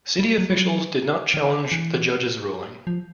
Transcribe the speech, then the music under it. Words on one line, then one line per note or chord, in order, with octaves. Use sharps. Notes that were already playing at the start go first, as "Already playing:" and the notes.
City officials did not challenge the judge's ruling.
G3
F#3
G3
F#3
D#3
E3
F3